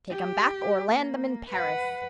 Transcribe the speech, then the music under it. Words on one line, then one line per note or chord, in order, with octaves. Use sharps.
Take 'em back, or land them in Paris.
G4
A#3
B4 F#5